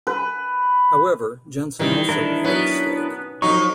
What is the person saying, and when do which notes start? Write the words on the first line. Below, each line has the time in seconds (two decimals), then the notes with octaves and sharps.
However, Jensen also made a mistake.
0.07 B4
1.79 D#3 E3 G3 D#4
2.09 D4 E4 A#4
2.45 F#3 B3 C#4
3.42 F2 F#3 D#4 C#6